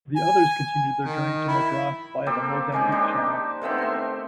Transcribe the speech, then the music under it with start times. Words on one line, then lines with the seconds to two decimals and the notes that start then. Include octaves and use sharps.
The others continued their journey to Madras via the Mozambique Channel.
0.16 G#5
1.05 D#3
1.48 E4
2.26 A#3 C4 G4 A4
2.72 D#3 G#3 C#4 G4
2.92 D4 D#4 G4 C5
3.62 D#3 A3 B3 C4
3.78 E5 C6